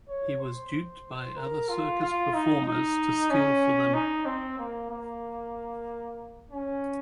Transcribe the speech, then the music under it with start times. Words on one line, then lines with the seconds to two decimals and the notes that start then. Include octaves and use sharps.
He was duped by other circus performers to steal for them.
0.09 C#5
0.40 C5
1.37 A#4
1.69 F4
2.01 F4
2.34 D#4
2.65 D#4
3.30 C#4
3.94 D#4
4.25 C4
4.59 A#3
4.90 A#3
6.51 C#4